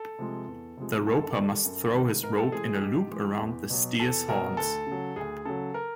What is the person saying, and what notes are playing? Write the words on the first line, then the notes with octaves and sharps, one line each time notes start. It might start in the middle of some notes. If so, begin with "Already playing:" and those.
The roper must throw his rope in a loop around the steer's horns.
Already playing: A4
C3 F3 G#3
E2
C3 F3 G#3
F#2 A4
D#3 G3
F#2
D#3 G3
G#2 A#4
A4
E3 G#3 G#4
G#4
G#2 G4
E3 G#3
E2
B2 F#3
E2 A4
B2 F#3 A#4
D2 A4
C#3
F#3
D2 G#4
C#3 F#3 A4
A#4